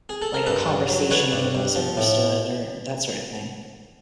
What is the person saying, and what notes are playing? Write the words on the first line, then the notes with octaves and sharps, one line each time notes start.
like a conversation being misunderstood or that sorta thing?
G#4
A4
A#4
G2 A4 B4
G2
F#3
D3 B4 C#5
G2
G2
F3
A2